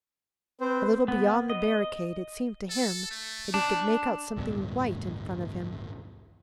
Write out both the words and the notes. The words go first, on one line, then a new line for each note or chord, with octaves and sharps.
A little beyond the barricade, it seemed to him that he could make out something white in front of him.
C4 B4 C5
B3
D#5
A4
A3
D4
A1 D2 G2 B2